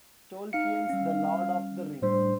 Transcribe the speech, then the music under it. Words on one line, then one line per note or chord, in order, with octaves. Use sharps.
Tolkien's "The Lord of the Rings".
D#4 F5 C#7
G3 C#4
A2 G3 D4 C5